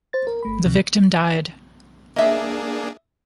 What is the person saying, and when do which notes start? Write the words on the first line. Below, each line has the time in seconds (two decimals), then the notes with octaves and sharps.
The victim died.
0.13 C5 A6
0.27 A#4
0.43 G1 A3 B5
0.65 D2 C3 F3
2.16 A#3 D4 G#4 D#5 E5